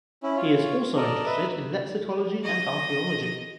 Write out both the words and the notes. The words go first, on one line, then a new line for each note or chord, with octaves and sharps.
He is also interested in lexicology and archeology.
C#4 E4
F4 C#5
A4 A#4 D5 D#5
B4 D#5 E5
D#5